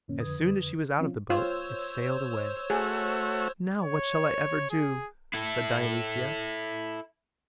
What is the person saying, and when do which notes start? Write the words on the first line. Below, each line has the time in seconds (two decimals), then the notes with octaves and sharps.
As soon as she was out of the boat it sailed away. "Now what shall I ever do?" said Dionysia.
0.08 F2 A2 D3 A#3 C#4
0.20 F2 D3 B4 D#6 G#6
0.99 F3 C4 C#4 F4
1.30 F4 C5 C#5 E6
2.70 A3 F#4 G#4
3.83 C#5
4.70 G#4
5.33 E4 A4